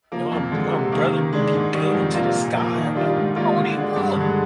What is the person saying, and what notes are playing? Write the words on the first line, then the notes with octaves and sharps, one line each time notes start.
You know, m my brother would be building in to the sky. I'd be like, "Bro, what are you doing?"
F3 A#3
F2
D3 G#3
C3
D#3 A#3
D#3
G#3 D4
G#2
D#3 G3
F2
C3 G3 A#3 F4
A#2
F3 A#3
D#3
G3 D4 F4
G#2
D#3 G3 A#3 F4
D3
G#3 D4
G2
D3 G#3